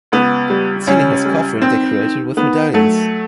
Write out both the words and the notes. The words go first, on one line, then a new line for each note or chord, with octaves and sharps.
The ceiling has coffering decorated with medallions.
C#2 B3
G3
C#2 C#4
G3
D#3 C4
D#3
D#3 B3
F#3 A3